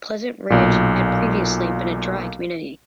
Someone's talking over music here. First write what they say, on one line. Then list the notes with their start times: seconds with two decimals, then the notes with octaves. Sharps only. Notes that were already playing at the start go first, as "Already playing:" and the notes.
Pleasant Ridge had previously been a dry community.
0.50 B1 A#2